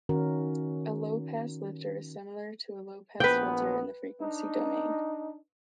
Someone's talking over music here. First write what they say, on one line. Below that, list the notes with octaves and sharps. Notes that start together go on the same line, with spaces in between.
A low-pass lifter is similar to a low-pass filter in the frequency domain.
D#3 C#4 F#4 A#4
A#1 B3 B4 G5
D4 D#4